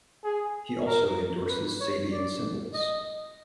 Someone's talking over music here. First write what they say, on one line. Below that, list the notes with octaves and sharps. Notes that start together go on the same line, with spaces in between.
He also endorses Sabian cymbals.
G#4
A#4
B4
C#5
D5
D#5